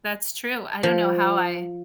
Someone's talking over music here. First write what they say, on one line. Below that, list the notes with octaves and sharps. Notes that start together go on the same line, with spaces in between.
That's true, I don't know how I
F3